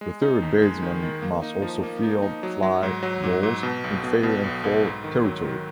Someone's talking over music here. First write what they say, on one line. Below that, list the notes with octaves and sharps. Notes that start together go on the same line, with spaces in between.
The third baseman must also field fly balls in fair and foul territory.
G#3
D#4
D#2
G#3
D#3
D#3
A#3
D#4
F3
A#3
D#4
D#4
F#3
F#3
G#2
F#3
G#2
G#2
B2
B1
B2
B2
B1
B1
G#2
D#3
F#3
D#3